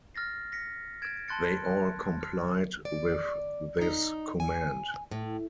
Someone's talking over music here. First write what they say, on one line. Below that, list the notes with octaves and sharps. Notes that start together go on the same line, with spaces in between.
They all complied with this command.
F6 A6 A#6 C7
A#6 B6 C#7
G#6 A6 D7 E7
A5 B5 C6 F#6 A6 C#7
F#6
F6
D5
D#4
G#5
A2